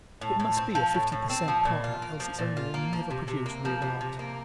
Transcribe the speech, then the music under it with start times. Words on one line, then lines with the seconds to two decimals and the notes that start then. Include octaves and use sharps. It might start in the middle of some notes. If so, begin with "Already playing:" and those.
It must be a fifty per cent partner, else its owner will never produce real art.
0.21 A2
0.40 A2
0.57 C4
0.75 F3
0.94 A2
1.12 A2
1.30 C4
1.48 F3
1.65 A#2
1.84 F4
2.02 A#3
2.20 F3
2.39 A#2
2.57 F4
2.74 A#3
2.93 F3
3.10 C3
3.28 C3
3.46 A#3
3.65 F3
3.82 C3
4.01 C3
4.19 A#3